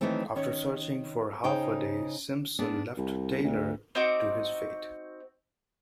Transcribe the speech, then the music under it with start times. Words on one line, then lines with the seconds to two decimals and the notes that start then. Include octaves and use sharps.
After searching for half a day, Simpson left Taylor to his fate.
0.01 D#3 E3 F#3 A3 C4
0.36 D#3 C#4 C#5
1.44 C#3 D#4 C5 G5
2.59 B3 D4 G#4
2.97 C2
3.44 D2
3.95 C4 D#4 F#4 D6